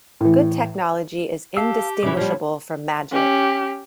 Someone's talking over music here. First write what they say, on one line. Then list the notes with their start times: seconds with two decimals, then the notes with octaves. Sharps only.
Good technology is indistinguishable from magic.
0.21 A2 E3
1.57 G4 F5 A5 E6
2.03 C#3 E3 E5 D6
2.17 F3 G3 B3 C#5 B5
3.12 C#4 G4